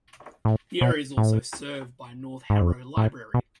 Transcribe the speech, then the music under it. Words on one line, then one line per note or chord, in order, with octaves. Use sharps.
The area is also served by North Harrow Library.
A2
B2
A2
G#2
F2
A2
B2